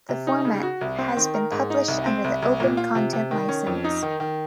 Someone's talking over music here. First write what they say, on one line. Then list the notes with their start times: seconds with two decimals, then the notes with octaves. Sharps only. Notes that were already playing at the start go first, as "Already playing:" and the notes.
The format has been published under the Open Content License.
0.09 C3
0.27 D#4
0.45 C#3
0.63 F#4
0.81 C2
0.98 C4
1.17 D#3
1.34 A#4
1.52 G#2
1.70 D#4
1.88 C2
2.06 C4
2.24 C2
2.42 C2
2.60 A#2
2.77 F4
2.95 C3
3.13 C3
3.31 D#3
3.49 C#4
3.67 F2
3.84 D#4
4.03 D#3
4.20 D#3